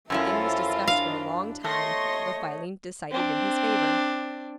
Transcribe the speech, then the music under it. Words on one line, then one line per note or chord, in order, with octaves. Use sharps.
The thing was discussed for a long time, but finally decided in his favor.
F#2 C#4 E4 F4 A4 A#4 C5 E5
D4 F5
A3 C#5 D#5 C6 C#6 A#6
C4 D4